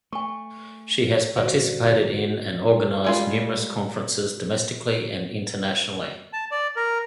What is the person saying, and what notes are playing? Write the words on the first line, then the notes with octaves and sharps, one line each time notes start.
She has participated in and organized numerous conferences domestically and internationally.
A3 G#5 C#6
G1 A#2 F#4 C5 D5 F5
G3 G#3 F4
A5
D5
A#4